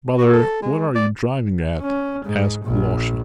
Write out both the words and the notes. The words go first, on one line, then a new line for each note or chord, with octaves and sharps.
"Brother, what are you driving at?" asked Alyosha.
F#4
A4
G#3
D5
C#4
G#2
A#1